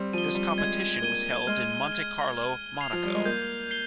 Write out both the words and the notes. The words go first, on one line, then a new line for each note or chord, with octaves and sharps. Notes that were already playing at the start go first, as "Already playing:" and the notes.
This competition was held in Monte Carlo, Monaco.
Already playing: G3 C4
F3 D#7 G7
G3
G#3 G#6
A#3 D#7 G7
G#3 F6
G#6 D#7 G7
F6
C7 F7
F3
G3
G#3
A#3 G6
C7 G7